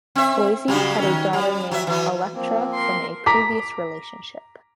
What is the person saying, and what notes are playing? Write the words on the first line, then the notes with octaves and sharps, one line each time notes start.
Busey has a daughter named Alectra from a previous relationship.
C4 E5
C#3 F#3 G3
D#3 C#4
G3
F#3 E5
E3 F#3
F3 A#3 C4
A#4 C6
A#5 D6 B6